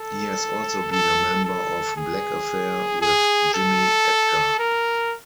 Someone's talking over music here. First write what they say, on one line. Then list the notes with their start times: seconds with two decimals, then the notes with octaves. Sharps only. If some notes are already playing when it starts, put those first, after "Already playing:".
He has also been a member of Black Affair with Jimmy Edgar.
Already playing: A4
0.92 A4
1.44 A4
1.97 G#4
3.02 G#4
3.54 A4
4.59 A#4